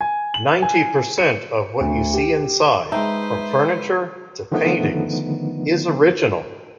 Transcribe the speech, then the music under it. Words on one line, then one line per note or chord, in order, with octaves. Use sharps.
Ninety percent of what you see inside, from furniture to paintings, is original.
G#5
F#7
G#5
C#7
D2
G4
G#3 D#4 B4 C5 E5 G5 A5
D3 D#3 F3 A3 B3 D#4